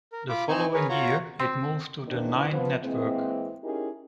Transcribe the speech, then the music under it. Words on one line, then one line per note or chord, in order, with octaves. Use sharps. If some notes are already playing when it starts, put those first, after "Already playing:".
The following year it moved to the Nine Network.
A#4
F4 B5 D6
C4 D#4 G#5 C#6
G#4 A#4 B4 C#5
F4 F#4 C#5 A#5
C4
E2 D#3 E3 A#3 C4 D4
F3 B3
E3 G#3 A#3 C4
C#4 D#4 E4 G4 G#4 A#4